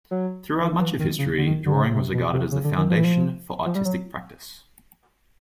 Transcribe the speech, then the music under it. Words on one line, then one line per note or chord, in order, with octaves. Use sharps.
Throughout much of history, drawing was regarded as the foundation for artistic practise.
F#3
E3
E3
D#3
C#3
D3
D#3
D3
C#3
C3
B2
C3
C#3
D3
D#3
F3
E3
F3
F3
G3
F#3